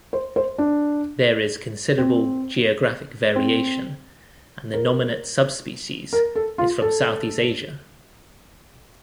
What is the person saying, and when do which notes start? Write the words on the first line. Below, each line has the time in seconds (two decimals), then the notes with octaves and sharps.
There is considerable geographic variation and the nominate subspecies is from Southeast Asia.
0.13 C5
0.36 C5
0.58 D4
1.98 C4
3.36 C4
4.74 A#4
6.13 A#4
6.36 A4
6.58 F4
6.82 A4